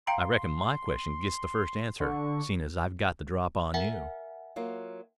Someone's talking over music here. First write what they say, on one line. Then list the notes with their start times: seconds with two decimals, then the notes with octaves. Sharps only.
"I reckon my question gits the first answer, seeing as I've got the drop on you."
0.07 F5 G5 A#5 C6
2.00 D3 C#6
3.74 A#4 E5 F#5 G#5
4.56 F#3 A#3 F4